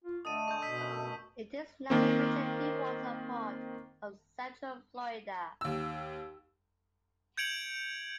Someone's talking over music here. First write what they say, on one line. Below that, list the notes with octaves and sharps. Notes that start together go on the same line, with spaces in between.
It is now the major deep-water port of Central Florida.
F4
D3 A3 D#5 A5 D#6 D#7
G#3 C#6 G6
B2 E6 G6 B6
F#2 B4 E5
A3
D#3 A#3 C4
D#2 E6
G6 G#6 C#7 D7 F7 F#7